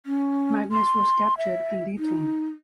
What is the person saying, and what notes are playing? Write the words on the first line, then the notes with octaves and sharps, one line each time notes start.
Magnus was captured and dethroned.
C#4
C6
E5
D#4